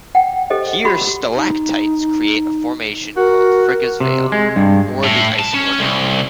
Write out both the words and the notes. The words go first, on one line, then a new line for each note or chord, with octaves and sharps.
Here stalactites create a formation called Frigga's Veil, or the Ice Organ.
F#5 G5
G4 A4 C5 D#5
F#4 G4 B5 C#6
D#4
F#4 A#4
C3
G#3
G2
A2
A5
C#4
C2